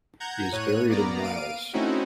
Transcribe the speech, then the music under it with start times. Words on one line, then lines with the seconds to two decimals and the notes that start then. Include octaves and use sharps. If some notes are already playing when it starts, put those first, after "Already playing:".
He is buried in Niles.
0.20 F#5 A#5 G6 G#6
0.52 A2 C#5 F#6 D#7
0.89 A#3 B3 D5 A#5
1.23 F5 D7 D#7
1.73 A3 C4 C#4 D#4 E4 F#4